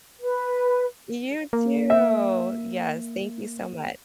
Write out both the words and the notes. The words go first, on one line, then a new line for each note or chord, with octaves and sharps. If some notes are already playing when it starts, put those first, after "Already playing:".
you too. Yes, thank you so much.
B4
A#3
E5